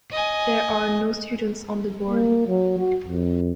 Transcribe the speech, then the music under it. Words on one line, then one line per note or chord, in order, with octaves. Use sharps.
There are no students on the Board.
D#5 G#5
A#3
F#3
F#4
F2